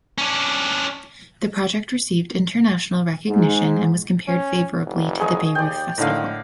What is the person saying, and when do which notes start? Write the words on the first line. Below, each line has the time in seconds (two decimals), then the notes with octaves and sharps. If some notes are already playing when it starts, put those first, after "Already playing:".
The project received international recognition and was compared favourably to the Bayreuth Festival.
0.18 C#4 D4
3.29 G#2
4.28 C#4
4.86 F#1
5.20 G#4 C#5 D#5
5.55 D#2 D5 G5
5.98 A2 D3 D#3 F5